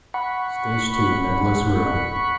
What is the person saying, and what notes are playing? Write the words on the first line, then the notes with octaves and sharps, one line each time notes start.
Stage two Nicolas Roux.
F#5 B5 C#6